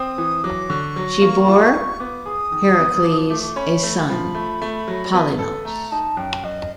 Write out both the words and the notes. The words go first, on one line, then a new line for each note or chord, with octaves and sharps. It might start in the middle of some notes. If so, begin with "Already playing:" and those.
She bore Heracles a son, Polylaus.
Already playing: C4 D#6
E3
F#3 D6
D3 C#6
F#3
A#3
F4
F4
B3 D6
G#4 D#6
D#3
B3
F3 D6
D#6
D6
A3 D6
D6
C#4 B5
A3
F3 B5
A3
A3
F#3
B3
A4
A3 A#5
D#4 A5
F#2 G5
F#2 D#5